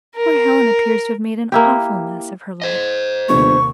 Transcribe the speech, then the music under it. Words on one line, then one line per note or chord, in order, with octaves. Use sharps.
Poor Helen appears to have made an awful mess of her life.
A#4
A#3 E4 G4
C5 D#5
G1 D#2 C3 C#6